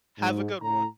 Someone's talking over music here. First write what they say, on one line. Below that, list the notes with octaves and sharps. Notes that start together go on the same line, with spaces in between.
Have a good one.
G#2
A2 A#5